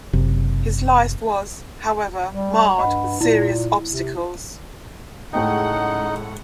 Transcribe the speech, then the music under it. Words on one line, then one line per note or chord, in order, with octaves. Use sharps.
His life was, however, marred with serious obstacles.
F#1 C3
G3
G2 D#5 F#5 B5
A#2 E4
C3
A2 C#3 G#3 A3 D#4 F#5 G5